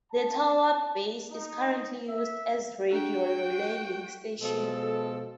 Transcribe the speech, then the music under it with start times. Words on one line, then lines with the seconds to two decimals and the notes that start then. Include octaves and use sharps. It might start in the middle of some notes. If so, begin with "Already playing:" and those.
The tower base is currently used as radio relay link station.
0.12 A5
1.32 D#4
2.07 E5
2.91 D4 F#4 G#4 G5
4.42 B2 F3 G#3 A4